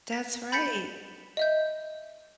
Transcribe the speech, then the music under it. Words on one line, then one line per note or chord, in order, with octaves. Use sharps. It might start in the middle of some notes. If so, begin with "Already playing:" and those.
That's right.
B6
B5 G6 A6 B6 C#7
D#5 E5 G6